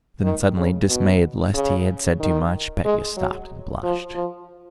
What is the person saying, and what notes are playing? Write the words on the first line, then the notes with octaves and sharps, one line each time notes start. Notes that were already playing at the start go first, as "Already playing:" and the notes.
Then suddenly, dismayed lest he had said too much, Petya stopped and blushed.
D#3
C#3
B2
C#3
D#3
G#3
F#3
F3
F3